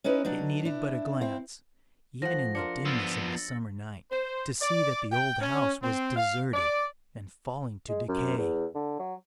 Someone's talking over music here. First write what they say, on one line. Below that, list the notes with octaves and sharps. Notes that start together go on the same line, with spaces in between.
It needed but a glance, even in the dimness of the summer night, to see that the old house was deserted and falling to decay.
C#4 D#4 E4 B4 D#5
F#3 D4 D#4
D4 E4
C4 E4
F3 A3 F#5 A#6
D4 F4 A#4 C#7
F3 B3 E6 A6
C5
D5
G5
C#4
C4
F5
D5
G#3
F#2
E2
D3
F#3